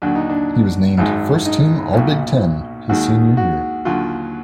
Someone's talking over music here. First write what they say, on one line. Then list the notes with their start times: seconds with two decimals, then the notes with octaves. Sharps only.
He was named "First Team All-Big Ten" his Senior year.
0.02 D#2 D3 F#3 D4
0.15 D#4
0.30 D4
0.98 G#1 F#2 D#3 G#3
1.45 D#4
1.93 B1 A#2 F#3
2.89 D#2 D#3 G#3 F#4
3.37 F#4
3.85 D#2 D3 F#3 F4